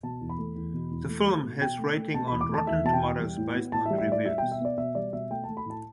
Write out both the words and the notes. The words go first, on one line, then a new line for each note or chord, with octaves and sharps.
The film has rating on Rotten Tomatoes based on reviews.
B2 A5
E2
B5
A3
E2
B2
E2
A3
A3
B2
B2 G5
A3
A3
B2 A5
E2 B5
D6
A3 A5
E2 E5
B2 A5
G5
E2
G3
A2
B3
A2 A5
E5
G3
E5
A2 D5
G3 E5
B2 G5
E5
B3 D5
B2 E5
G3 D5
B2 E5
A3 G5
A3 A5
B5
A2 A5